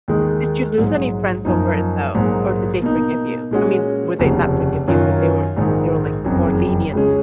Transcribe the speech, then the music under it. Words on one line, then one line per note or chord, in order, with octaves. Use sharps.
Did you lose any friends over it though? Or did they forgive you? I mean, would they not forgive you, but they were they were, like, more lenient?
D#2 D#3 G#3 D#4
A#1 G#2 F#3
F#2 F3 A#3 D#4
A#1 G#2 F#3 A#3
B2 A#3 D#4
A#2 G#3 C#4 F#4
F1 D#2 C#3 F3
F#2 D#3 F#3 C#4 F4
A#1 G#2 D#3
F#1 F2 C#3 F#3
C#2 C#3 G#3 C#4 G#4